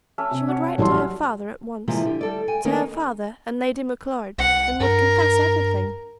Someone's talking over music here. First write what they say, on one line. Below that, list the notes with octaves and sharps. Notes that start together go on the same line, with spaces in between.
She would write to her father at once,--to her father and Lady Macleod,--and would confess everything.
A3 C#4 E5
C3
F#4 C#5
A1 F#3 G3 A4 C6
C#4
C3 E3 F3 G3 G#3 A#3
D3 G4
G3 A4 D5
G5 G#5
D#3 A#3 B3 C#4 D#4 A#4
C2 F#5
G2 A#4